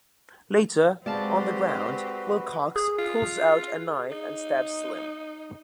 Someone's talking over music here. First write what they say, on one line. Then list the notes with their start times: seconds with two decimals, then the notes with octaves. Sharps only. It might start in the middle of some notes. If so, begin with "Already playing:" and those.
Later, on the ground, Wilcox pulls out a knife and stabs Slim.
1.06 G#3 C4 F#4 G4 B4 D5 F5 A5
2.76 G#4
2.99 F4
4.11 D#4